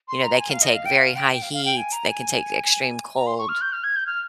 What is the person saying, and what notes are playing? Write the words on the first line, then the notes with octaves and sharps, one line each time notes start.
You know, they can take very high heat, they can take extreme cold.
C6
A#5
G#5
F5
D#5
F5
G5
F5
G5
G5
F5
F5
G5
G#5
A#5
G#5
A#5
C6
C#6
F6
G6
F6
G#6
G6
F6